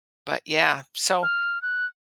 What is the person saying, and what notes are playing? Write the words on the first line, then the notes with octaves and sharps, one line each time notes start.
but yeah, so
F6
F#6